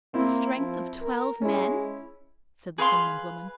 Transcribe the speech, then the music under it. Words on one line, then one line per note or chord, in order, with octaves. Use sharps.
"The strength of twelve men!" said the Finland woman.
A#3 C4 E4
F3
A#4
G#3 C#4 E4
G#4 B4 F5 C6